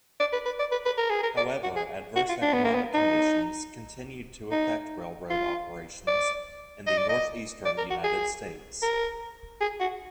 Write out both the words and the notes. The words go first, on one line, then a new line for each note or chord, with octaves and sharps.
However, adverse economic conditions continued to affect railroad operations in the northeastern United States.
D5
B4
B4
D5
B4
B4
A#4
G#4
A#4
D5
F#4
G#4
F#4
F4
D4
B3
A#3
B3
D#4
D#4
F4
D5
D#5
D5
D#5
D5
A#4
F#4
G#4
A#4
G#4
F#4